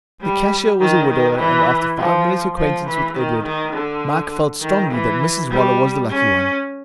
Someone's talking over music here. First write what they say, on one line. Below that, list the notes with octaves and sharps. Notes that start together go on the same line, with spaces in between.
The cashier was a widower, and after five minutes' acquaintance with Edward, Mike felt strongly that Mrs Waller was the lucky one.
G3
D#3
D#3
E3
F3
F3
E3
D#3
D#3
D3
D#3
E3
G3
C#4